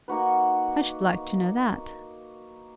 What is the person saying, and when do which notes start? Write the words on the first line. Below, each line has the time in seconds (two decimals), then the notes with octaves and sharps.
I should like to know that.'
0.08 A#3 D#4 F#4 B4